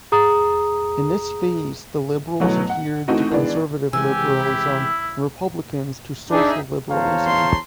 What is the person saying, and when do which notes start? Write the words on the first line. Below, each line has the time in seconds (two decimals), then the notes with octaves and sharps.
In this phase the Liberals adhered to conservative liberalism and Republicans to social liberalism.
0.12 G#4 A#5 D#6
2.40 B2 E3 F#3 A3 B3
2.70 F#5
3.08 E3 A3 C4 D#4 F#4
3.31 D#3 E3 G#3 B3 D4
3.93 C3 E3 G#3 G4 G#5 E6
4.38 E4
6.31 D4 D#4 G#4 E5
6.91 E2 C5 C#5 F5 A5 A#5
7.27 C6